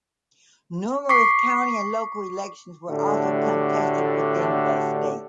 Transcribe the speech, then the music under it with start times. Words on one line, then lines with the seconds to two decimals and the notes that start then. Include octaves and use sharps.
Numerous county and local elections were also contested within the state.
1.09 C#6 D6 B6 C7
2.89 A2 D3 A3 D4 F#4 G4